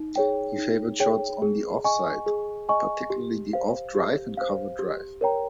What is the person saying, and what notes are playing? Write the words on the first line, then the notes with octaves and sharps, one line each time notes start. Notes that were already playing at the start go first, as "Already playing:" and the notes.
He favoured shots on the off side, particularly the off drive and cover drive.
Already playing: D#4
G#4 C#5 G5
D#4
G#4 C#5 G5
G#4
D#5 G#5 C#6
G#4
D#5 G#5 C#6
G4
C5 F5
G4
C5 F5
G4
A#4 C#5 G5 A#5